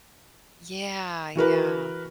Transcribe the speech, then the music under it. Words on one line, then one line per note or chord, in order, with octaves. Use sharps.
Yeah, yeah.
E3 F#4 A#4 B4